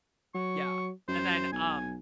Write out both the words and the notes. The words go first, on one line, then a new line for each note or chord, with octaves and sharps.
Yeah, and then, um
F#3 C#6
F#2 C5
B1 G#5